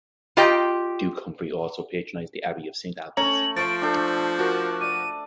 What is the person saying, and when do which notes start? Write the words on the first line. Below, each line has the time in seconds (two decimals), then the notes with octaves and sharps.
Duke Humphrey also patronised the Abbey of Saint Albans.
0.37 F4 G4 D#5 G5
3.17 A3 C#4 C#5 A#5 F#7
3.57 F3 C5 C#6 A6 D7
3.82 D4 A4 G6
4.39 F#4 A#4
4.81 D5 D#7